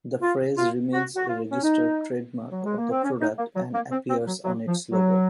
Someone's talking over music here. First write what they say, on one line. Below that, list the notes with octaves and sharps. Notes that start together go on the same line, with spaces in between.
The phrase remains a registered trademark of the product and appears on its logo.
F4
F4
F#4
F#4
F4
C#4
D#4
F#3
G#3
A#3
C4
C#4
D#4
A#3
F#3
A#3
C4
C4
F#3
F#3
F3
F#3